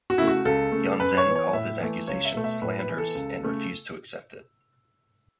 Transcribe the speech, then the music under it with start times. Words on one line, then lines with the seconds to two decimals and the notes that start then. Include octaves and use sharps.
Yuan Zhen called his accusations slanders and refused to accept it.
0.10 F#4
0.18 C#3 A3 E4
0.28 F#4
0.45 C#2 A4
0.72 C#3 A3
0.99 F#2 B4
1.18 C#5
1.27 E3 B3
1.36 C#5
1.53 A2 E5
1.81 E3 A3
2.07 C#2 C#5
2.25 E5
2.35 B2 A3
2.44 E5
2.62 A2 B4
2.79 B4
2.89 E3 B3
2.98 A4
3.15 C#2
3.43 C#3 A3